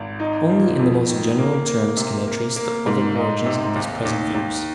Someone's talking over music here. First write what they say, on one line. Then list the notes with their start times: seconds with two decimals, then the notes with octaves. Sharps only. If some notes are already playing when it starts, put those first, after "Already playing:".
Only in the most general terms can I trace the other origins of these present views.
Already playing: G#1
0.20 D#4
0.50 F3
0.79 F2
1.09 D#3
1.38 A#3
1.67 A#3
1.97 C3
2.28 A#3
2.56 A#3
2.87 G#2
3.16 D#4
3.46 C3
3.76 D#2
4.05 D#2
4.34 D#2